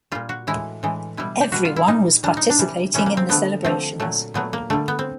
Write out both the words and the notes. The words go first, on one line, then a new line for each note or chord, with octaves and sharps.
Everyone was participating in the celebrations.
A#2 G3 F4
F#4
A2 E3 G#3 E4
A2 E3 G#3
B2 G3 E4
G4
B2 G3 F#4
F4
E4
A#2 G3 D#4
A#2 G3 D4
D#4
D4
C3 E3 G3
C3 E3 G3 C#4
A#3
C4
D3 F3 A3 B3
D3 F3 A3 C4
A#2 F#3 A3
A#2 F#3 A3 B3
A#3
D3 G3 A3
B3
C4